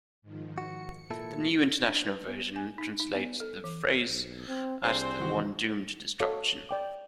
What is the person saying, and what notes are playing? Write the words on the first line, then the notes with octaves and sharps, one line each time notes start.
The New International Version translates the phrase as the one doomed to destruction.
G#2 D#3 F3
F#4 C#7
A#2 E4 A4
D4
B4
B3
G#5
D#4
D#4
B3
A4
E3
B1
C4
C2 C4 D4 G#4 C5
D#3 E3 F#4
F#4 A4 C#5 F5 D6
D5 G5 D6